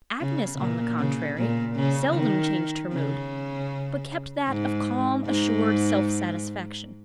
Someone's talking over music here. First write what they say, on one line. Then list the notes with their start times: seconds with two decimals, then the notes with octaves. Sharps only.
Agnes, on the contrary, seldom changed her mood, but kept that of calm assured self-satisfaction.
0.21 C#3
0.59 A#2
0.99 C#3
1.38 A#2
1.76 C#3
2.14 D#3
2.93 C#3
4.48 G#2
5.26 G#2